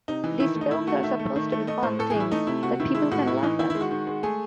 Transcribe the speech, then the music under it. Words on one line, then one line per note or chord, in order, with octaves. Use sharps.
These films are supposed to be fun things that people can laugh at.
C3 D#4
E3
D#3 E4
A3
D#4
D#3 E4
A3 F#4
D#3 E5
A3
D#3
A3
A3 D#5
A2 C5
A2 A4
G#4
E3
E4
A3 D#4
C3 E4
C3 F#4
D#3 E4
G#3 E4
A2 F#4
A2 E4
E3 D#4
D#3 E4
E4
G#3
F#4
D#3
G#3
A3 G#4